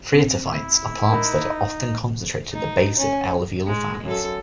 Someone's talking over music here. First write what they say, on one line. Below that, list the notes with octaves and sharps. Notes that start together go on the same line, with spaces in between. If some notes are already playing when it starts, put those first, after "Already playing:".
Phreatophytes are plants that are often concentrated at the base of alluvial fans.
C4
E4 C#6
D#4 A#4 B5
D#4
C#4
G#3
F#2 A4